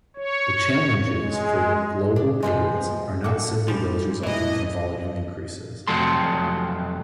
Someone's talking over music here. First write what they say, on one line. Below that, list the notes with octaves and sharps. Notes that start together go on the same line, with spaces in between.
The challenges for global payments are not simply those resulting from volume increases.
C#5
G#3
D4
G2 B2 F3 G#3
F#4 A4 D6
G#2 E3 F3 G3
B1 A#2 E3 D4 E4 D#5
F2 C3 F#3 A3 A4 C6